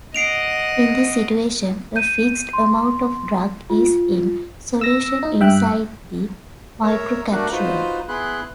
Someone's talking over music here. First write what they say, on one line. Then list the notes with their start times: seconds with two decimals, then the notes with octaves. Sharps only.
In this situation, a fixed amount of drug is in solution inside the microcapsule.
0.14 D#5 F#5 C7 D7 F7
1.96 G6 D#7
2.53 C6
3.70 F4
4.81 E6 A#6
5.23 D#4
5.40 G2 E5 G5 F#6
6.83 A#4 C#5 E5
7.32 A3 D4 F#4 A#4 F#5
7.52 D#4 F4 F#4 B4 C5
8.09 B3 E4 G#4 B5 C6 F#6